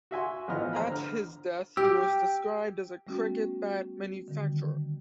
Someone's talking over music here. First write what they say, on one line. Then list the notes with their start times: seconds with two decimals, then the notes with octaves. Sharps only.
At his death he was described as a "cricket bat manufacturer".
0.11 F#4 E5 G#5 C6
0.48 A1 F3 B3 D#5 F6
0.73 C5 A#5 B5
0.88 D3 F6
1.77 G4 G5 E6
3.07 G3 A3 B3 C#4 F#4
4.28 D3 D#3 G3